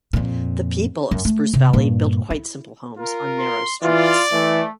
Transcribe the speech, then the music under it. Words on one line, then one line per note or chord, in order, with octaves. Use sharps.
The people of Spruce Valley built quite simple homes on narrow streets.
F2 A#2
F#2
A3
C3
G2 A#2
E4
F4 A#4
C6
E3 F4 D5
E3 A3